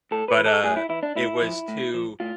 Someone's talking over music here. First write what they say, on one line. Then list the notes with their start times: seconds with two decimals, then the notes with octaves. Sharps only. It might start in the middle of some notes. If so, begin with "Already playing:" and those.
but, uh, it was too
0.11 A2 A4
0.28 B4
0.37 E3
0.46 A4
0.64 A2 G#4
0.77 E4
0.89 E3 E4
1.03 D4
1.16 A2 E4
1.42 F3
1.68 A2
1.94 F3
2.20 A2 F4